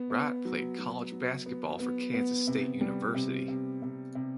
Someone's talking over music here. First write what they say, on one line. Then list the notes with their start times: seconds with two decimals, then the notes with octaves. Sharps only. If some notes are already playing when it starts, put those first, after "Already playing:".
Wright played college basketball for Kansas State University.
Already playing: B3
0.10 B3
0.45 F#3
0.79 F#3
1.12 F#3
1.46 B3
1.79 B3
2.14 B3
2.47 C3
2.81 G3
3.15 C3
3.48 C3
3.82 C3
4.15 C3